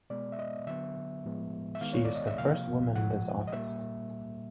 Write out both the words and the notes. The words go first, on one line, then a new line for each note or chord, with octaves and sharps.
She is the first woman in this office.
B2 G#3 B3 D5
E5
D#5
D3 F#3 B3 E5
A2 F3 G#3 B3
E5
D#3 G#3 B3 F5
C#5
D5
D#5
E5
C3 F3 A#3 F5
A#2 F3 G#3 F#5
D#5
A#2 G3 A#3 E5